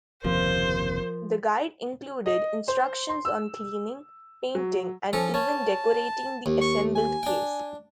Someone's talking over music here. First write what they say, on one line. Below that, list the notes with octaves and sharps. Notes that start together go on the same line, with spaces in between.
The guide included instructions on cleaning, painting and even decorating the assembled case.
F#1 D#2 C3 F3 A#4 C5
D#5
C5
C6
E6
F#3
F3 C#4 A4
C#4 A5
D#2
C#6
G#5
D4 G5